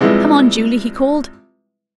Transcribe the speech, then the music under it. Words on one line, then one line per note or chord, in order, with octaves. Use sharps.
"Come on, Julie," he called.
C3 F3 G3 G#3 E4 B4